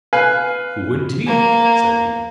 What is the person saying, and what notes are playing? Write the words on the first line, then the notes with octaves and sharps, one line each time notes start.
"Who, indeed?" said he.
B4 F5 G#5
A#3